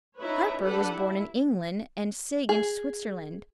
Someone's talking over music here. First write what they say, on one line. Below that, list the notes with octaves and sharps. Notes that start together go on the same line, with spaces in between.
Harper was born in England, and Sigg in Switzerland.
C#4 D#4 E4 B4 C#5
D4 G4 A4 B4 F#5
E4
G#4